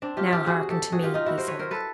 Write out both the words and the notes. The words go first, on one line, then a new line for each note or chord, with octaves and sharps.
"Now, hearken to me," he said.
C4 D4
F4 G4
F4 G4
F#4 G#4
G4 A4
F#4 G#4
F4 G4
D#4 F4
E4 F#4
A#4 C5
B4 C#5
A#4 C5
A4 B4